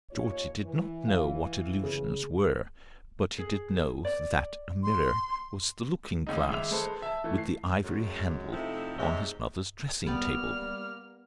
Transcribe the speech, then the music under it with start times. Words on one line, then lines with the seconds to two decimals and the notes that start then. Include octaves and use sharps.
Georgie did not know what illusions were, but he did know that a mirror was the looking-glass with the ivory handle on his mother's dressing-table.
0.11 D#2 F4 C#5
0.64 E3
1.08 F5
1.83 C#3
3.38 G#4
4.05 D5
4.83 C6
6.27 G#1 C#2 D#4
6.49 G#1 G#3 E5 F7
6.71 G#3 A4 B4 C5
7.02 E5 A5
7.24 E3 A3
7.38 C7
7.84 F#2 G#3
8.51 F2 C3 F3 A3 D#4 E4
8.98 G#2 C3 G#3 C#5 D#5 E5
10.07 G3 A#3 B3 G4 D5 F6